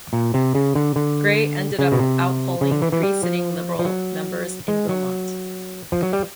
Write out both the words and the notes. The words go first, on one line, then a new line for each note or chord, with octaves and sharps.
Gray ended up out-polling three sitting Liberal members in Wilmot.
A#2
C3
C#3
D3
D3
C#3
B2
C3
C#3
D3
E3
E3
G3
F3
F3
F#3
G#3
F#3
F3
F#3
G3